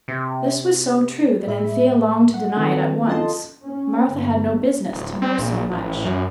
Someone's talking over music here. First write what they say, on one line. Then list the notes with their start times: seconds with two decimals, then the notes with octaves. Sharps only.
This was so true that Anthea longed to deny it at once - Martha had no business to know so much.
0.08 C3
1.47 A2 G#3 E5 B5
2.34 F#5
2.57 D#3 F3 C4 A4 B4
3.07 F4 A4 D#5 A5 C6
3.63 C#4
4.09 G1
4.92 D1
5.22 C4
5.38 A#1
5.70 A1
6.04 F#2